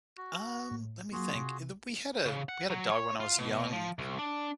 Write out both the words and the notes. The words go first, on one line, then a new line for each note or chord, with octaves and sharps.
Um, let me think. Uh, the we had a we had a dog when I was young
F#4
A2
F#3 A#3 F4 F#4 G#4
C3
C#3
F#5
F#3
C#5
F4
B2
F3
C2
D4